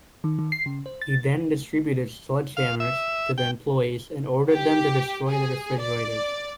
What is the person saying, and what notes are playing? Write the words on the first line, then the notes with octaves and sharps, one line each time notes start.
He then distributed sledgehammers to the employees and ordered them to destroy the refrigerators.
D#3
D#3
C7
C#3
C5
A6
F5
E5
G5
G4
G#4
D5